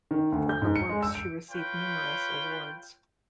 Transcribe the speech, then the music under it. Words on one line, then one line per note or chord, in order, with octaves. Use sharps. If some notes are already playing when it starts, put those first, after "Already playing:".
For her works she received numerous awards.
D#3
D2
G6
G#2
C#7
G#3
E6
D7
F4 B4 C#5 G5